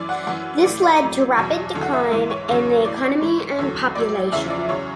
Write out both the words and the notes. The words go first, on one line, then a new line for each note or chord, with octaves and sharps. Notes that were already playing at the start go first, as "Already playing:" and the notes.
This led to rapid decline in the economy and population.
Already playing: F#2 E3 D5
F#5
F#2 E3 F#5
A2 E3 D5
D5
A2 F#3
E2 B2 F#3
E2 D3 F#3
F#5
E5
G#2 E3
C#5
E2 C#3 F#3
A2 E3 D5
C#5
G#2 E3
E2 D3 F#3
A2 F#3 D5
E2 C#3 E3 E5
D5
E2 C#3 F#3 C#5